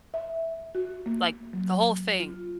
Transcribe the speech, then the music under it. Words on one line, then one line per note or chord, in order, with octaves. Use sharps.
like, the whole thing,
E5
F#4
A#3
F#3
F4